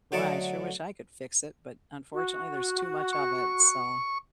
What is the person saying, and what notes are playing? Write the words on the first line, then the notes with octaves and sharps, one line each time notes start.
boy, I sure wish I could fix it, but unfortunately there's too much of it, so
D3 F#3 A3 D#5 A5 D6
F#4
C#6